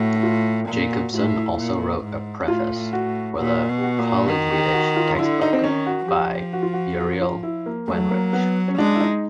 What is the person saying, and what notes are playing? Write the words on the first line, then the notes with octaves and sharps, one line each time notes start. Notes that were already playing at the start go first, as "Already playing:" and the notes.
Jakobson also wrote a preface for the "College Yiddish" textbook by Uriel Weinreich.
Already playing: A2 F#4
E4
F4
A#2
F#4
A2 F4
E4
A#2
G#2
A2 F4
F#4
A#2 F#4
B2
G4
F#4
A#2
D#3 F#4
G4
F#4
F4
D3 E4
D#4
C4
D#3 C#4
F#4
F3 G4
F#4
F4
F#4
F#4
F4
E4
A#3
F#3 A3
A#3
B3
C#4
G#3 D4
E4
D#4